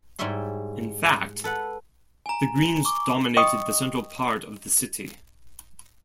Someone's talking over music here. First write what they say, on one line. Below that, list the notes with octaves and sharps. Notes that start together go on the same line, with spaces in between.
In fact, the Greens dominated the central part of the city.
G#2 G3 E4 C#5 E5 C6
A4 B4 F#5
G#5 A#5
C#6 D6
D#5 G5 C6 C#6 D#6